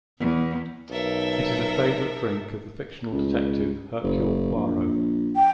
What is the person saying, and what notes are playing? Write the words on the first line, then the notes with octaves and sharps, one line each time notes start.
It is a favourite drink of the fictional detective Hercule Poirot.
E2
B1 A4 A#4 E5
C#2
F#1
A#1
G5